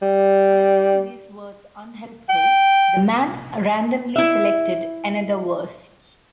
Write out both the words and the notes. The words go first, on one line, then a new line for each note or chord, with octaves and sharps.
Finding these words unhelpful, the man randomly selected another verse.
G3
G5
E4 E5